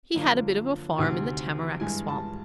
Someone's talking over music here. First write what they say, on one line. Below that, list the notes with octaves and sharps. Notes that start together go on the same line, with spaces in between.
He had a bit of a farm in the tamarack swamp.
F#2 D3 F3 A#3
D2 C3 D#3
G2 E3 G#3 G#5
A5